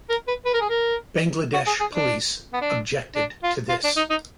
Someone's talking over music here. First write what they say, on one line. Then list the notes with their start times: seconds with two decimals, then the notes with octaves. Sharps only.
Bangladesh Police objected to this.
0.10 A#4
0.28 B4
0.45 B4
0.53 A#4
0.61 G#4
0.70 A#4
1.54 F#4
1.67 G#4
1.80 G#4
1.94 D4
2.53 B3
2.61 D4
3.15 D4
3.43 F4
3.69 F4
3.84 D4
3.97 D#4
4.10 D#4